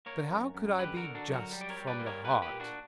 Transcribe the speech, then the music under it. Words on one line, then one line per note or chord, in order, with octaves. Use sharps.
But how could I be just from the heart!
A#3 A#4 C#5
F#2
F#2
D3 G4 B4
F#4 A#4
D3
D4 F#4
F#3
F#4 A#4
G3
D5
A#4 C#5
G3
B4 D5
A#3
A#4 C#5
A#3 G4 B4
G4 B4
A#2
D4 F#4